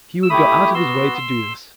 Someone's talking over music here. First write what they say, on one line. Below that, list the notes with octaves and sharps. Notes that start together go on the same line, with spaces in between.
He would go out of his way to do this.
E6
A3 E4 G4 B5 D#6
B3 F#4 C6 E6